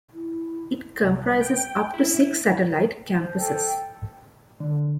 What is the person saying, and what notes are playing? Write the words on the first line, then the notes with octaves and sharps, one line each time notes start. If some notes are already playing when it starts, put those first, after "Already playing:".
It comprises up to six satellite campuses.
E4
C2
G5
E4
F3
A4 G5
D3